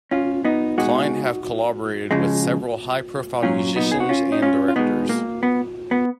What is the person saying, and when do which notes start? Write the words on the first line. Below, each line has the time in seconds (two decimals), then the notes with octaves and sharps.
Client have collaborated with several high-profile musicians and directors.
0.11 C#4 F4
0.45 B3 D#4
0.78 B2 G#3 D#4 F#4
2.11 C#3 F3 G#3
3.43 A#2 F#3 C#4 F4
3.76 B3 D#4
3.92 G#4
4.00 F#4
4.09 C#4 F4
4.32 D#4
4.42 C#4 F4
4.68 F4
4.76 B2 G#3 B3 D#4
5.09 A#3
5.43 B3
5.91 B3